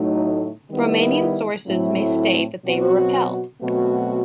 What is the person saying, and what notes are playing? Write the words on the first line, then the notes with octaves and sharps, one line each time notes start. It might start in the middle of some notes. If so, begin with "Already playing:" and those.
Romanian sources may state that they were repelled.
Already playing: A2 F#3 A3 D#4
D#3 G3 B3 E4
A2 F#3 A3 C4 E4
B2 F#3 C4 F#4
B2 F#3 A3 C4 F#4